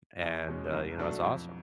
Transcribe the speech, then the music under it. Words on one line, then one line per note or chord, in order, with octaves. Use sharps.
And, uh, you know, it's awesome.
E2
B2 G#3 C#4
C2
B2 F#3 A3 D4
F2